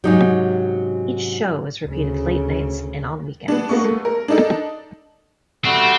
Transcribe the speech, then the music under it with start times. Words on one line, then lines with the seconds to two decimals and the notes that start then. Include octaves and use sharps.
Each show is repeated late nights and on weekends.
0.04 G#2 C3 F#3 C#4 D#4 G4
1.86 D2 C#3
3.48 B3 D4
3.69 A#3 B3 C#6
3.84 A3
4.05 A#4
4.28 D4 D#4 A4
5.65 G3 A3 C4 F#4